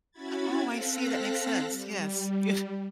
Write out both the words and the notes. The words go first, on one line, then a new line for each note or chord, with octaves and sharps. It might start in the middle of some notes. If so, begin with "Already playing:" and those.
Oh, I see, that makes sense. Yes. Yeah.
C#4 E4 F#4 B5 G#6 A6
C4 A4 F5 F#6 A#6 B6
G3